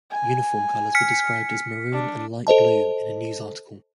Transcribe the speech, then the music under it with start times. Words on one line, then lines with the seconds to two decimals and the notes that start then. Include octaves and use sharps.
Uniform colors were described as "maroon and light blue" in a news article.
0.11 G#5
0.95 F6 B6 C#7
1.93 D4
2.47 A4 C5 D#5 A5